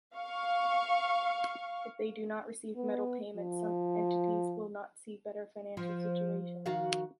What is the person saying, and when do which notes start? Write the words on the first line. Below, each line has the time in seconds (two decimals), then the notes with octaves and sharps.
If they do not receive metal payments, some entities will not see a better financial situation.
0.15 F5 C#6
2.76 B3
3.36 F3
5.77 F3
6.66 D#3 F#4 F5